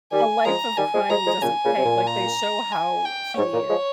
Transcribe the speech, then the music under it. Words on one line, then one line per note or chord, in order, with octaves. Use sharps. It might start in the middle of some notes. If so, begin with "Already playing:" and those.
a life of crime doesn't pay. Like, they show how he
D#3 G3 G#5
F3 G#3 A#5
D#3 G3 G#5
F3 G#3
F3 G#3 A#5
F3 G#3
A#2 C#3 G#5
A#2 C#3
C3
A#2
A#5
G#5
G5
G#2 C#5
A#2
F3 G#3